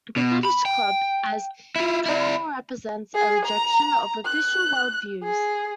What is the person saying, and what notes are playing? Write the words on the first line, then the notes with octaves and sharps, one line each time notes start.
The fetish club as carnival represents a rejection of "official" world views.
B2
B5
G5
E4 F4
E4 D5
G#4
A#5
F#6
G#4